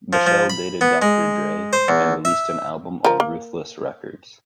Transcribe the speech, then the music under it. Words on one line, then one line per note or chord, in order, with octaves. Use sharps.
Michel'le dated Doctor Dre and released an album on Ruthless Records.
F3
F3
B5
B3
G#3
C5
E2
E5
F3 A#4
A#3